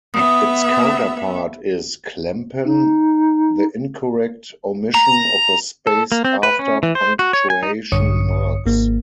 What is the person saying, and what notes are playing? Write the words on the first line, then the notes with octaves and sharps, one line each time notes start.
Its counterpart is Klempen, the incorrect omission of a space "after" punctuation marks.
B3 E5 D#6
D#4
A#5
A4
A#3
C4
B4
C#4
E3
C5
F#4
C#5
G#5
D#4
A#1 G2 D3 C#5 D#6 C#7
G#1 A#3